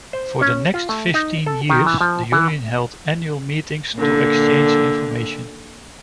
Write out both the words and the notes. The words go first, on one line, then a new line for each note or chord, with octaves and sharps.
For the next fifteen years the Union held annual meetings to exchange information.
C5
C#4
F4
A3
D#4
A4
D#3
E3
F3
E3
A#2 D3